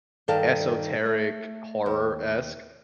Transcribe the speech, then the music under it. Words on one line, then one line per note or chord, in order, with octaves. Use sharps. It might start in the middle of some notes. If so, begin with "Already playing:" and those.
esoteric, horror-esque
G2 D#3 A4 D5 F5 A5
A3
D#2